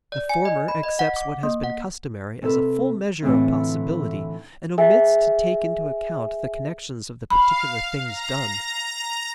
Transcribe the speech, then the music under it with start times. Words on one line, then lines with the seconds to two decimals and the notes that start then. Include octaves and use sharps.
The former accepts what has been customary as a full measure of possibility and omits to take into account the connections of the particular things done.
0.12 D5
0.29 G#5
0.45 D#5
0.68 B5
0.83 D#5
0.99 F#5
1.16 D6
1.43 A#3
1.64 F#5
2.42 C3 A4 B4
3.22 A2 D3 E3 C4 E4 F4
4.78 G#4 E5 G#5
7.30 F5 B5
8.05 A#5 A#6